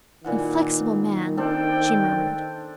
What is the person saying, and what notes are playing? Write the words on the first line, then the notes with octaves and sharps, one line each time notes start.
"Inflexible man!" she murmured.
A#2 D#3 E3 F#5
C4 D4 A4 G5